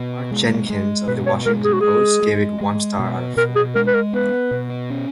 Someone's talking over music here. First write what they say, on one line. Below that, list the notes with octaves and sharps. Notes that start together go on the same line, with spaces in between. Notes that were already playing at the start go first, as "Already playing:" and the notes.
Mark Jenkins of "The Washington Post" gave it one star out of four.
Already playing: B2
G#3
G#3
B2 B4
C#5
G#3 A#4
G#4
F#4
G#3 G#4
G#3
G#3
B2
B2 A#4
G#4
G#3 A#4
B4
A#4
B3 B4
B2
C#4